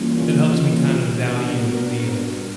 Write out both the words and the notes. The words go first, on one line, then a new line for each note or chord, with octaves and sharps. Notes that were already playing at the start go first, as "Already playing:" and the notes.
that helps me kind of value the, uh,
Already playing: E3 G3 A#3 C#4 F4
G3 B3 D4 F#4 A#4